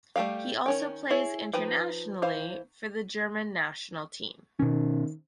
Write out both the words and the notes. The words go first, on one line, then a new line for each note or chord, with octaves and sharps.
He also plays internationally for the German national team.
G3 A3 C#4 G4 F5
D#3 C#4 G5
E4 G#4 C#5
F3 D#4 B4 G5
E3 C5 F5
B2 D#3 C#4